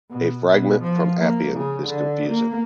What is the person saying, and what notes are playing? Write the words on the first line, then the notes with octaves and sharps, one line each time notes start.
A fragment from Appian is confusing.
B2
B2
F3
A#3
C#3
D3
A#3